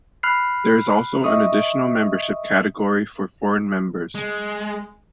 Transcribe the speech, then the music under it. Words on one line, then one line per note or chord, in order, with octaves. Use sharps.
There is also an additional membership category for foreign members.
B5 F6 F#6 C7
D#5 E5 C#6 D#6
G#3